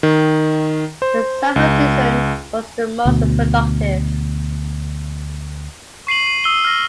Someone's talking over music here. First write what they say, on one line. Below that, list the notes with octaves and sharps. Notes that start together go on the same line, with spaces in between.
The summer season was the most productive.
D#3
C5
C#2
D2 B2
C#6 C7 D#7 F#7
D#7
D#6 E6 D#7 G7
F6 A#6